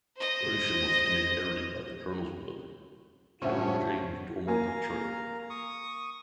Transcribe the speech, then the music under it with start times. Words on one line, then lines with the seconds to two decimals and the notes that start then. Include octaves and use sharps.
Rousham was then inherited by the Colonel's brother, General James Dormer-Cottrell.
0.16 C5 D#5
3.42 A2 C#3 C#4 D4 F4 C5 E5 F#5
4.47 A#3 A#4 F5 G#5 A#5
5.50 C#6 D#6